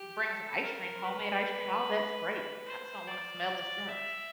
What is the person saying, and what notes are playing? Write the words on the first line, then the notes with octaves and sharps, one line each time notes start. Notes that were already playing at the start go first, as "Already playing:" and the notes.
bring some ice cream, homemade ice cream, all that's great. I just don't wanna smell the scent.
Already playing: G4
A4
A#4
B4
C5
D5
E5